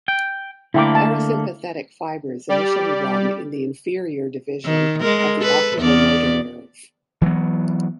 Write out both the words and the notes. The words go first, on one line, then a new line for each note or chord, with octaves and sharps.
Parasympathetic fibers initially run in the "inferior division" of the oculomotor nerve.
G5
D3 A3 A#3 E4 G5 D6
A5
G3 G4 D5
D#3
G#3 A#4
A4 B4
E2 B3 D5
E3 F#3 G#3 B3